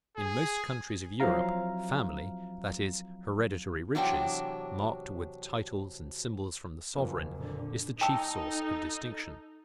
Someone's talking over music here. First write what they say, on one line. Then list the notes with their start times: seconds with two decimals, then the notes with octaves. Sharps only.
In most countries of Europe, family, that is, hereditary riches, marked with titles and symbols from the sovereign, is the chief source of distinction.
0.17 G#4
1.20 F3 F#3 C4 E4 F5 A#5
3.95 E2 C3 F#3 D4 G5
6.95 F#1 F2
7.37 A#2 D3
8.01 D#4 A4 G5 A5 E6